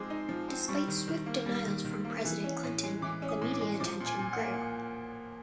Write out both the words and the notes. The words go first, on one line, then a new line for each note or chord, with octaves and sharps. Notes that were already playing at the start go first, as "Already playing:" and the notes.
Despite swift denials from President Clinton, the media attention grew.
Already playing: F3 G#3 C4 D#4 D6
D#4
F3
C4
G3 C#6
D#3
D#3
A#3
G3
D#3
D#3
A#3
E3
C#4
A2
G#3
E3 D6
C#4
D#6
A2
D6
G#3
F3 D6
A#2
G#5
A#2
F#5
A#3